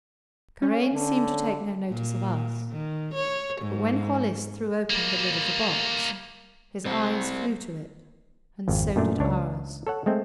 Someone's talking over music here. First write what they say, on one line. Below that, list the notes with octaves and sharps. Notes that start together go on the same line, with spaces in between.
Karain seemed to take no notice of us, but when Hollis threw open the lid of the box his eyes flew to it--and so did ours.
C#4
D3
A#2
D#3
C#5
G#2
G3 A#3
G3 C4
G#1 F2
F#2 A#2 A3 D4
C#2 D4 C#5
A4 C#5 F#5
G#3 A3 C4